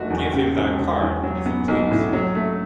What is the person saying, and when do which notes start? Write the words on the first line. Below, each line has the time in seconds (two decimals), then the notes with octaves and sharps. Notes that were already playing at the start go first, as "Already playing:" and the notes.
Give him that card if you please.
Already playing: F#1 A3 F#4
0.10 E2
0.33 C#3 G4
0.55 E1
0.78 E1
1.00 E2
1.23 F#3
1.46 B3
1.68 B1
1.91 A2
2.13 F#3
2.35 A3